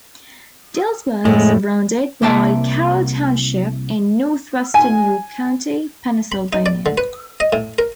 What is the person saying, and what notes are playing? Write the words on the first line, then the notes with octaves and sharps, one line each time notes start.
Dillsburg is surrounded by Carroll Township in northwestern York County, Pennsylvania.
F2 A2 G#3 A3
C2 A#3 E5 G5 A5
G#5
B5
D#4
D5
D3
B4
D#5
A2
A#4